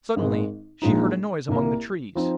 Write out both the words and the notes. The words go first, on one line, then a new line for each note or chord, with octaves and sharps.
Suddenly she heard a noise among the trees.
G#1 G#2 G#3
A#1 A#2 F3 G#3 D#4
C2 A#2 A#3
F3 C4 D#4